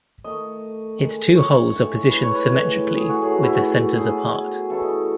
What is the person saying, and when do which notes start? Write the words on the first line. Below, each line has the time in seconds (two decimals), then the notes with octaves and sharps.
Its two holes are positioned symmetrically, with the centers apart.
0.24 D#3 A3 D#5
0.99 D#3 G#3
1.36 C#5
1.74 A2 G#3
2.10 B4
2.23 C#5
2.35 B4
2.47 A2 E3 G#3
2.97 G#4
3.09 F#4
3.21 A2 F#3 A3 G#4
3.32 F#4
3.43 E4
3.54 F#4
3.96 B2 F#3 A3 G#4
4.69 C#3 E3 A3 A4
4.82 D#5